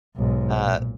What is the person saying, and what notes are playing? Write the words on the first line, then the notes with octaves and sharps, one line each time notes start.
uh, eh,
B1 G#2
A#2